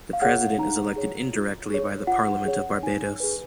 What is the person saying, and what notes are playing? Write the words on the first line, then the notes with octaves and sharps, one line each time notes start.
The president is elected indirectly by the Parliament of Barbados.
F5
G#4 C#5 F#5
D#4 A#5
G#4 C#5
F4
G#4 C#5
F4 F#5
G#4 C#5
D#4 G#5
G#4 B4